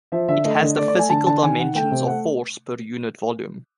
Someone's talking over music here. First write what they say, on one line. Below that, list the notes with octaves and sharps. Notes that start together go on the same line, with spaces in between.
It has the physical dimensions of force per unit volume.
F3 E5
D3 E5
A3 D#5
D3
A3 D5
D5
A3 G#5
D3 A5
D3 A5
D#3 G#5
D#3 F#5
A3 G5
C3
A3 F#5